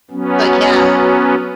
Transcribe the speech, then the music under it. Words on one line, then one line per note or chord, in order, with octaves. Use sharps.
So yeah.
F#3 B3 C#4